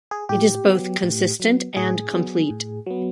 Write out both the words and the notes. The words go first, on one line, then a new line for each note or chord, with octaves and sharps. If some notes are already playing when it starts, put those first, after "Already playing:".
It is both consistent and complete.
G#4
A2 G4
F#3 B3
A2
F#3 B3
A2 G#4
F#3 B3
A2
F#3 B3